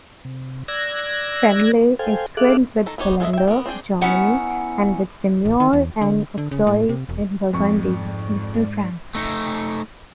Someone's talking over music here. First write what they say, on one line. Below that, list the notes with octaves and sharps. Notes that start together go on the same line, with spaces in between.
Cranleigh is twinned with Vallendar, Germany, and with Semur-en-Auxois in Burgundy, eastern France.
C3
D5 E6 F#6 G#6 A#6
A4 C5 F5 G5 G#5
G#4 A4 E5 F5 D6 F#6
D#3 A4 A#5
B3 D#4 G4 C#5
G#3 A4 D#5 E5
E5 G5
B3 A#4
C4 D4 G#4 G5
B3 C#4 E4 F#5 A#5
A1
D#3
E2
D3
D3
C#3
A2
C3
E1
F2 G#2 D5 C#6
A3 D#4